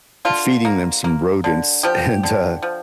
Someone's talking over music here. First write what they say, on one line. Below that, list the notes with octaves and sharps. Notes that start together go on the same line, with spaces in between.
feeding them some rodents, and, uh
D3 F4
A#3
A#3
D3
F3 G4
D3
F3